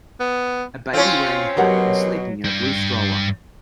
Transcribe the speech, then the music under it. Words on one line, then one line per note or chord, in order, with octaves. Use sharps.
A baby wearing a hat and sleeping in a blue stroller.
B3
C4 C#4 F4
B2 F#3 G4 A#4 F#5
G2 G3